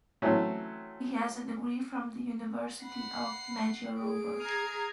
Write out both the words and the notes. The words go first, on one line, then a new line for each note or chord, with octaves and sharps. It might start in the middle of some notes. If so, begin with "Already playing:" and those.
He has a degree from the University of Magyarovar.
E3 F#3 A3 C4 C#4
F#5 B5 C7
G#4 D7
A#5 D#6 F6 G#6 C7